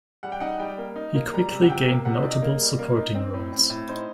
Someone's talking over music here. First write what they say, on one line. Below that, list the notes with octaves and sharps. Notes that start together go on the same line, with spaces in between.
He quickly gained notable supporting roles.
G3 F#5
G5
D#4 F#5
G3 G5
A#3
D#4
A#3
G3 A#5
C3
F#5
C3 G5
A#3
C3 F#5
D#5
D#4 D5
D#5
A#3
G3
A#3
D#4
C4
A2
C4
A2
D#4 C5